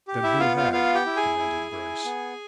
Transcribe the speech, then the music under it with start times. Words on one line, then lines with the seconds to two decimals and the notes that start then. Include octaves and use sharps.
"Then who had?" demanded Bryce.
0.08 G4
0.23 E4 E5
0.40 B3 F4 F5
0.57 F4 F5
0.72 B3 F4 F5
0.94 G4 G5
1.06 E4
1.17 G#4 G#5
1.39 E4
1.71 E4
2.05 B3